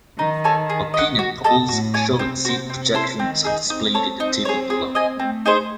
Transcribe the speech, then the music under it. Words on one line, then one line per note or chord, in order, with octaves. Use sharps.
Opinion polls showing seat projections are displayed in the table below.
D#3 D#4
A4 C#5 G#5
G#4
D#5 F#5
F#4
A4 D#5 A5
A2 F#4
C#5 G#5
C3 C4
F#4 C5
C4
E4 A4 C5
D#3 C4
D#4 G#4
C4 D#4
A4 C#5
C4 D#4
G#4 C#5
G#4
D#5 G#5
A3 C4
D#4 G#4 C5